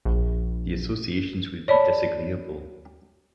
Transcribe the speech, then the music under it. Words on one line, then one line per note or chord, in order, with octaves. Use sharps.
The associations would be disagreeable.
A#1
C#5 D5 A5 B5